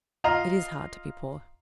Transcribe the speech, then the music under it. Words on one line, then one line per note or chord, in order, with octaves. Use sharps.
It is hard to be poor.
F4 D#5 F5 A#5